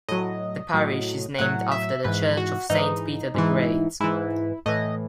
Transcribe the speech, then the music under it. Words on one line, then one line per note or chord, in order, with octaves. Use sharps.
The parish is named after the church of Saint Peter the Great.
A2 F#3 D#5
A2 F#3
A2 F#3 F#5
E5
G#2 E3 B4
F#4
G#2 E3 D#4
G#2 E3
G#2 E3 E4
A2 E3 D#5